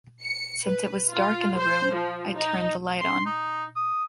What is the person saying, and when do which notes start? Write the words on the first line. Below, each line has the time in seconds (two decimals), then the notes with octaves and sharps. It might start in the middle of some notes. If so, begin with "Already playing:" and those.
Since it was dark in the room, I turned the light on.
0.22 C#7
0.64 B4
1.13 F4
1.58 C5
1.95 F3
2.36 D#4
3.00 C6
3.26 D#4
3.76 D#6